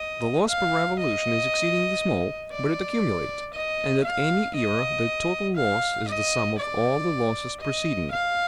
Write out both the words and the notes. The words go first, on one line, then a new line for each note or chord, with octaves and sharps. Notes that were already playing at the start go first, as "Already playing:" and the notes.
The loss per revolution is exceedingly small, but it accumulates, and at any era the total loss is the sum of all the losses preceding it.
Already playing: D#5
F5
D#5
D5
D#5
F5
D#5
F5
D#5
D5
D#5
F5